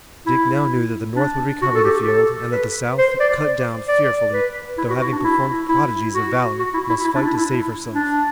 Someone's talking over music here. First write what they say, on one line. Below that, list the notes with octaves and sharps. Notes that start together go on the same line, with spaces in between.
Dick now knew that the North would recover the field, and that the South, cut down fearfully, though having performed prodigies of valor, must fight to save herself.
E4
D4
F#4
A4
G4
A4
B4
C5
D5
D5
B4
E4
F#4
F#4
D4
E4
E4
F#4
F#4
E4
E4
E4
D4
E4
E4
D4